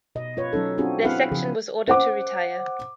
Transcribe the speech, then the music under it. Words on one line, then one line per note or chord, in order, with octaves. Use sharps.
Their section was ordered to retire.
B2 D#5
F4 B4 C#5
F#3 C#4 D#4 A4
C4 D4 F4 F#4 G#4
C4 E4 G#4 B4 F5 F#5
C#3 F3 G#4
C5 F#5 D6